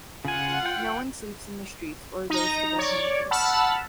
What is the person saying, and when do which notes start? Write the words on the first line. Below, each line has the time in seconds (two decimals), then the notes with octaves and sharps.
No one sleeps in the streets, or goes to bed hungry.
0.25 C#3 F4 F#5 G#5
0.66 G5
2.30 D#4 A#5
2.78 C#5 D5
3.31 F#5 A5 B5 E6 F6